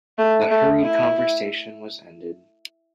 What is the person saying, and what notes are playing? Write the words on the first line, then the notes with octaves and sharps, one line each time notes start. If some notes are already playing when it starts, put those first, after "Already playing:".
The hurried conversation was ended.
A3
A3
E4